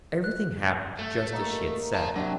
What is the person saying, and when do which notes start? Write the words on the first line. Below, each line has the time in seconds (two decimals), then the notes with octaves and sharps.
Everything happened just as she had said.
0.24 F#6
0.99 A3
1.33 A#3 A#4 D#5
1.95 F5 A5
2.16 C3 F#3 D4